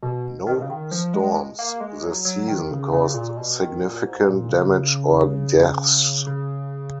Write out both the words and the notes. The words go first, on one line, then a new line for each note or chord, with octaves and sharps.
No storms this season caused significant damage or deaths.
B2
D#3
B2
C#3
D#3
F3
G#3
A#3
G#3
F#3
F#3
D#3
C#3
C#3
A#2
B2
D#3
A#2
G#2
A#2
C#3
C#3